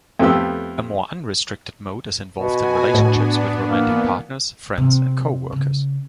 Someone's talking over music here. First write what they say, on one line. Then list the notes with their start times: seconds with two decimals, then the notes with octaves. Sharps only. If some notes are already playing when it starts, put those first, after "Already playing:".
A more unrestricted mode is involved in relationships with romantic partners, friends, and coworkers.
0.19 F2 A3 B3 G4 E6
2.37 B2 F#4 G#5
2.94 A2 B3 D4
3.66 E3 A#3 B3
4.78 C3
5.52 C#3